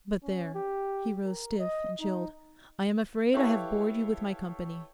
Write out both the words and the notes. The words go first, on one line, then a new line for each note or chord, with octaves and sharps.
But there'--he rose stiff and chilled--'I am afraid I have bored you with my company.
C#4
G4
A#4
D#5
D#4
E4 G4 A4 B4 C#5 F5